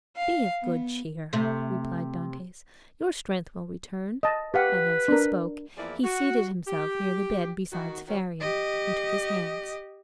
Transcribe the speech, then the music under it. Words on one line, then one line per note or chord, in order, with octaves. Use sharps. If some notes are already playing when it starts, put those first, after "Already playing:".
"Be of good cheer," replied Dantes; "your strength will return." And as he spoke he seated himself near the bed beside Faria, and took his hands.
F5
B3
C3 A3
D#5 A5
G4 B4 F5 F#5
D4 A#4
E2 F3 A#3 E4 G#4 D5
F#4
G4
D#3 F#4
D#3 C#4 F#4
G4 D#5